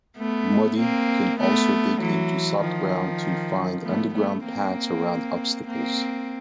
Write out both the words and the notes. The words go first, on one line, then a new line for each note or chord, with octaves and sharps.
Muddy can also dig into soft ground to find underground paths around obstacles.
A3 B3
A#3 C4
A3 B3
E3 F#3
D#3 F3
A3 B3
A3 B3
A#3 C4
A#3 C4